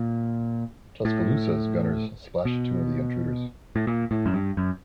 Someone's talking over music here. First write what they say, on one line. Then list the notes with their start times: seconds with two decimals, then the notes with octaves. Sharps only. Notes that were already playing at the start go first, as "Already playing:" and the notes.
"Tuscaloosa"s gunners splashed two of the intruders.
Already playing: A#2
1.05 A2
2.45 B2
3.76 A2
3.87 A#2
4.11 A2
4.26 F#2
4.34 G2
4.57 F#2